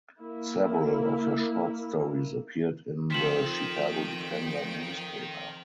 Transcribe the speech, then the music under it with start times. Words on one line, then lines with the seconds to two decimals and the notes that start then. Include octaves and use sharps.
Several of her short stories appeared in the "Chicago Defender" newspaper.
0.20 A#3 E4
3.10 F2 D#3 F3 C4 G5 B6 E7 F#7